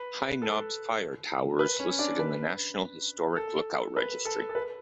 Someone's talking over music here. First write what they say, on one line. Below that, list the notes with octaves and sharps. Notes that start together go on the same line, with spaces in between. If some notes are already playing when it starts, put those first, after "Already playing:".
High Knob's fire tower is listed in the National Historic Lookout Registry.
Already playing: B4
A4
B4
C#4 C#5
D4 D5
B4
A4
B4
A4
A4
B4